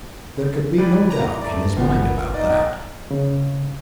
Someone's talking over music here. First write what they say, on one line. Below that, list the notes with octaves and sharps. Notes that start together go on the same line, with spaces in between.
There could be no doubt in his mind about that.
E3 G3 B4 D5
A#5
A3 D5
G1 A#2 B3
D#4 D5 D#5
C#3